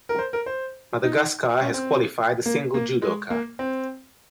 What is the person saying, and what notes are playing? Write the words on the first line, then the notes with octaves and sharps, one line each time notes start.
Madagascar has qualified a single judoka.
A#4
C5
A#4
C5
D#4
C#4
C4
A#3
A#3
G#3
A#3
C4